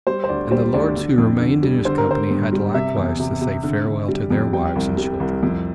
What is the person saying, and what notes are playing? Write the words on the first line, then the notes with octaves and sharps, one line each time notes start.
And the lords who remained in his company had likewise to say farewell to their wives and children.
G3 C5
C5
D2 D5
G3 C5
D2 D5
D3
F2
D3
G3
D3 C5
A#4
D3 C5
G2
G3
C3 E5
E2
C3
C3
D3
D3
G3
F2
G3 G5
C2
G3
C2
F2